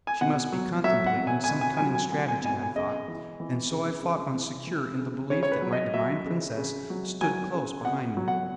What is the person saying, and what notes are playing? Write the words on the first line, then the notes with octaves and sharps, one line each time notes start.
She must be contemplating some cunning strategy, I thought, and so I fought on secure in the belief that my divine princess stood close behind me.
G#5
B2 F#5
F#3
F#3 E5
F#5
B2
G#5
G#5
B2
G#5
F#3 G#5
G#5
F#3 G#5
G#5
B2 G#5
G#5
C#3 D#5
E3
E3
C#3
C#3
E3
E3
C#3
C#3 C#5
C#5
B4
F#3
D#5
F#3 E5
C#3
C#3
F#3
F#3 G#5
C#3
B2 F#5
F#3
F#5